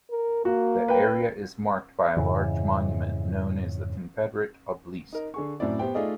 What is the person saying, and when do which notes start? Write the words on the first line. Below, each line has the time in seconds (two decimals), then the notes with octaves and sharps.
The area is marked by a large monument known as the Confederate Obelisk.
0.11 A#4
0.45 A#3 F#4
0.88 B4 G5
2.17 F2 G#2 C#3 E3
5.13 D#4 A#4
5.34 D3 G#4 C#6
5.60 F#2 A2 C4 E4 D5
5.79 B3 G4 C5 G5
5.95 A3 D#4 F4 G#4 D5 D#5